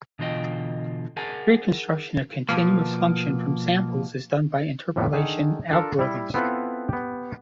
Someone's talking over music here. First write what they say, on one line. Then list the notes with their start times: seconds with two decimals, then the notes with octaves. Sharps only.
Reconstructing a continuous function from samples is done by interpolation algorithms.
0.19 B2 D3 E3 F4 D#5 G5
1.17 G#4 A#4 F#5 G#5 A5
2.49 B2 F3 A#3
4.96 F2 A2 G3 A#3 B3
5.13 D3 D#3 G#4
5.70 D4 F4 A4 A#4
5.99 G3 E4
6.34 B3 C4 E4 F4 A4 B4
6.89 B3 G4